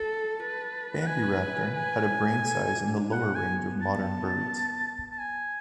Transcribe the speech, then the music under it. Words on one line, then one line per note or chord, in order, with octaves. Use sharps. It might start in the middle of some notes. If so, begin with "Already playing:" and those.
"Bambiraptor" had a brain size in the lower range of modern birds.
Already playing: A4 A5
B4
F#5
G#5
G#5
A4
D4
B3 F#5
G#5
A5
A5
G#5